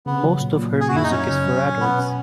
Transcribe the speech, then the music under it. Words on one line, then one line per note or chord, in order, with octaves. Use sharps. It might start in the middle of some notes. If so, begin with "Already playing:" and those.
Most of her music is for adults.
C#3 B3
F#3
A#2
A#2
A#3 G#4
F#4
F#2 E4
D#4
F#3 C#4
C#3
F#3
A#2
B2 B3
C#4